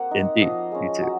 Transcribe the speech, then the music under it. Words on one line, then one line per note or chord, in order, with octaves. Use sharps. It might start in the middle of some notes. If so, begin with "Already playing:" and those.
Indeed, you too.
Already playing: A#3 C4 F#5
D#4
F5
F3 D#5
G#3 C#4
F#3